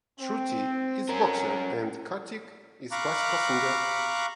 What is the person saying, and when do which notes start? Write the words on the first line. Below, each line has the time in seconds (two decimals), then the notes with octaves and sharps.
Shruti is boxer and Kartik is classical singer.
0.19 C4
1.09 C#4 A#4
2.92 F5 A#5 B5 C#6 D6 F#6